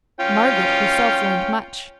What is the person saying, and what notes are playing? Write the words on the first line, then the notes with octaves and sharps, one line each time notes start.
Margaret herself learned much.
C#4 F4 G5